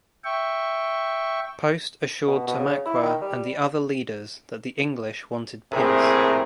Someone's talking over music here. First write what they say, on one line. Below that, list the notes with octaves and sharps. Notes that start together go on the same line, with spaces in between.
Post assured Tamaqua and the other leaders that the English wanted peace.
E5 G5 C#6
B2
B2
C#3
E4
D#3
G3
A#1 A2 C3 C4 G#4 A#4